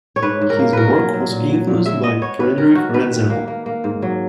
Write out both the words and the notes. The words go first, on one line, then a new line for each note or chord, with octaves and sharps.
His work was influenced by Friedrich Ratzel.
C#5
G#2 B4
G#2
A#4
A#3
B2 A#4 B4
F#3
F#3
A#2
F#3
A#2
G#3 E5
B3 D#5
B3 C#5
D#3 B4
D#3 A#4
D#3 F#4
D#3 B4
D#3
A#3
A#3
A#3
G#2
F#3